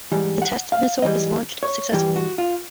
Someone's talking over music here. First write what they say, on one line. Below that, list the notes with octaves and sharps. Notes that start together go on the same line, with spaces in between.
The test missile is launched successfully.
G#2 E3 G3
F#5
F5
G#2 E3 G3 D#5
C#5
G2 E3 G3 G4
F#4
F4